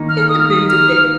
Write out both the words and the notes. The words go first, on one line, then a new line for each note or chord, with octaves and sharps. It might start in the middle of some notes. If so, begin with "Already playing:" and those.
It's a big debate.
Already playing: D#3 A#3 D#4
F6
D#6
F6
D#6
F6